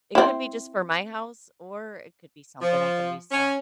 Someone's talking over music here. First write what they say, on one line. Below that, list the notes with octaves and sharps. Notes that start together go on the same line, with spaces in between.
It could be just for my house, or it could be something I can resell.
C4 E4
F3
C#4